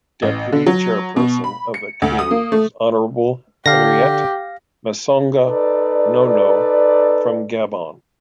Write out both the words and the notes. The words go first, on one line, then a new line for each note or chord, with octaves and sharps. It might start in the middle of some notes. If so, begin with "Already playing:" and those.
Deputy Chairperson of the Committee is Honorable Henriette Massounga Nono from Gabon.
A1
D3
F#3
B2
B5
C#7
D2
D#6
A#3
A3
D3 G4 F5 A#6
D#4 A4 B4 D5